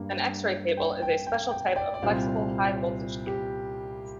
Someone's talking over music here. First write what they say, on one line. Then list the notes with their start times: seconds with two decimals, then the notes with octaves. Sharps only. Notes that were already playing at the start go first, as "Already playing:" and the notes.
An X-ray cable is a special type of flexible high-voltage cable.
Already playing: G2 G3 A#3 D4
0.77 G5
1.02 G5
1.27 G5
1.51 G5
1.76 D5 G5
1.94 D5
2.02 C2 A#2 G3 C4 C5 F5
3.27 G4